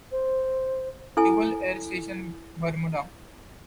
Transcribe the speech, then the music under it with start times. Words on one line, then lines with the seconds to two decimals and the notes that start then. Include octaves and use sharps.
Naval Air Station Bermuda.
0.12 C5
1.17 E4 A4 G#5